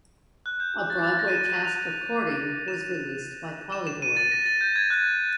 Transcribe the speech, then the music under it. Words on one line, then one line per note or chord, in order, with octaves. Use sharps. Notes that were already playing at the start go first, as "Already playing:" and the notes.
A Broadway cast recording was released by Polydor.
F#6
G6
A6
A6
A#6
D#7
E7
E7
F7
E7
E7
E7
D#7
A6
A#6
A6
G6
G#6
F#6